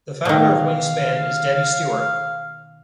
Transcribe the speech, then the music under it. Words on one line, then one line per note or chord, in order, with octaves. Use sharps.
The founder of Wingspan is Debbie Stewart.
B2 D#3 F5